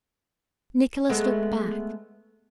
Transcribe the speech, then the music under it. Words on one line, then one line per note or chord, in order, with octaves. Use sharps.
Nicholas looked back.
G#3 A3 B3